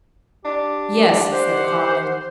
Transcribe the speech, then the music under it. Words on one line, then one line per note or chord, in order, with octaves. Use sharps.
"Yes," said Carling.
D4 G4
C5 F#5